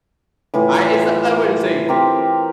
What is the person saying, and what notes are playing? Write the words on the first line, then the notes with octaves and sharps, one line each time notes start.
I It's not I wouldn't say
A2 E3 E4 F4
C4 G4 A#4